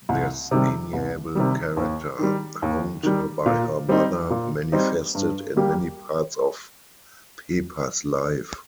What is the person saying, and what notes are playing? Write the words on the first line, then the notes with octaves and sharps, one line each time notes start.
This amiable character honed by her mother manifested in many parts of Pepa's life.
C2
C3 D#3 G3
C2
C3 D#3 G3
D#2
D#3 G3
D#2
D#3 G3
A#2
G3 C4 D#4
A#2
G3 C4 D#4
G2
G3 A#3 G4